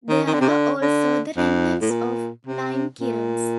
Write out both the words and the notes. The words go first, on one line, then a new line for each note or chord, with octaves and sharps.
There are also the remnants of lime kilns.
D#3
D#3
D3
C3
D3
D3
F2
A2
A#2
C3
A#2